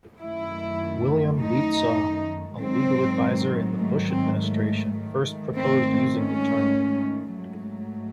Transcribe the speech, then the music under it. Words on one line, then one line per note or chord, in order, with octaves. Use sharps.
William Lietzau, a legal advisor in the Bush administration first proposed using the term.
F#2 D#3 A3 E4
D#4
G#2 D#3 F#3 C4
A3
C4
A3
G#2 D#3 A3
C4
C#4
G#2 F#3 A3